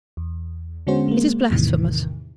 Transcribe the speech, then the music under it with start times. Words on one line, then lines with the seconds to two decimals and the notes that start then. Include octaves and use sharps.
It is blasphemous.
0.17 E2
0.87 D3 G#3 B3 C#4 F#4 C5
1.08 G#3 A#3
1.50 E2 A2 C3 D#3 E3